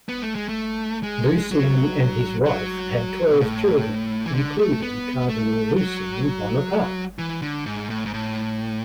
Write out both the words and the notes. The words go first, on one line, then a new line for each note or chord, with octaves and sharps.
Lucien and his wife had twelve children, including Cardinal Lucien Bonaparte.
B3
A3
G#3
A3
G#3
F#3
F#3
B2
A2
E3
D3
A3
B3
A3
F#3
E3
D3
G#2
A2
G#2
A2